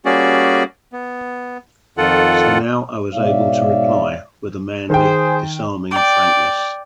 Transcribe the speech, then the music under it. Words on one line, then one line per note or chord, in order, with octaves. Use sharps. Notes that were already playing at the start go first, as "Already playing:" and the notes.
So now I was able to reply with a manly, disarming frankness.
G3 A#3 C#4 F#4 G#4 D5
B3
F2 D#3 F4 A4 F#5
G#2 B2 C#5 D5 E5 F5
D#3 G#4 C5 G5
D5 G5